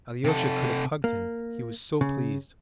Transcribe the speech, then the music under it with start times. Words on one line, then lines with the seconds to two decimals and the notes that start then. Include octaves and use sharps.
Alyosha could have hugged him, he was so pleased.
0.24 C3 A4
1.04 A#3
2.01 C#3